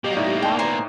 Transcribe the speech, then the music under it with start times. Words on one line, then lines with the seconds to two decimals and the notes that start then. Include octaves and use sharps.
And we won't.
0.04 B2 A#3 G4 D#5
0.17 A2 D#4 D5 E5
0.42 G5 A5
0.59 B4 C5 G#5 A#5